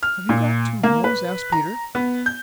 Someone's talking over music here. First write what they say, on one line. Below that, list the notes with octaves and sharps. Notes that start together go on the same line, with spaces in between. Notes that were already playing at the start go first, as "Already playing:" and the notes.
"Have you got two homes?" asked Peter.
F6
A#2
A#3
B4
A#5
B3
G6